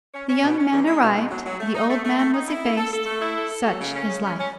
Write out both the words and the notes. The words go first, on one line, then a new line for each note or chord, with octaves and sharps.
The young man arrived, the old man was effaced; such is life.
C#4
C#4
B2
C#4
E2
G#3
B2
B2
F#3
F#3
A3
D#4
A3
A3
A3
D#4
E4
A4
A4
A4
A3
E4
A4
A4
F#3
C#3
C#4
C#3
C#4
C#4